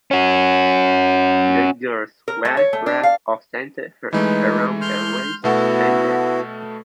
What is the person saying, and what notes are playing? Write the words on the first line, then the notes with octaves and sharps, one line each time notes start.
The girls wear wreaths of scented herbs around the waist and neck.
C#4 F#4
A#4
A3
C#5
A3
D4
F5
E3 G#3 A3 D#4 B4
C6 F6 G6
B2 A3 B3 E4 F#4 A4